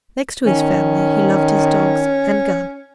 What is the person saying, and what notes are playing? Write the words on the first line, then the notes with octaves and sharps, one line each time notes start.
Next to his family he loved his dogs and gun.
D#3 C#4